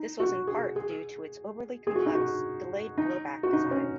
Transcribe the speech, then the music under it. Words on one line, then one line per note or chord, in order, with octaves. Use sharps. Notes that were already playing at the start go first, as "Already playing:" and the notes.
This was in part due to its overly complex delayed-blowback design.
Already playing: D#4
F#4
G#4
G#4
G#4
F#4
D#4
F#4
D#4
F#4
D#4
C#4